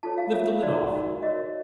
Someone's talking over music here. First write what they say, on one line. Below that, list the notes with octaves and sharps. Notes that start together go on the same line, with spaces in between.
"Lift the lid off!"
F4 A4 C#5 A5
F5
F4 A4 C#5 E5
D#4 F#4 A#4 D5
D#4 F#4 A#4
F#4 A#4 C#5 D#5